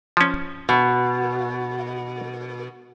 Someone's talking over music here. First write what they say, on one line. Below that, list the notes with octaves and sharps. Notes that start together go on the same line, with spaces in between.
But old now.
F3 C#4
B2